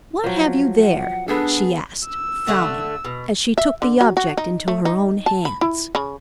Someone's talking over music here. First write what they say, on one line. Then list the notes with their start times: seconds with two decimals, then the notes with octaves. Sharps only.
"What have you there?" she asked, frowning, as she took the object into her own hands.
0.24 F3 F#3
0.81 F#5
1.28 B3 D4 G#4 A4
2.07 E6
2.47 D3 A3 F#5
3.05 B2
3.58 E5
3.82 D3
4.01 F#3
4.17 F#4
4.38 D#4
4.68 A3
4.85 D#4
5.26 A5
5.45 B5
5.61 E4
5.95 C#3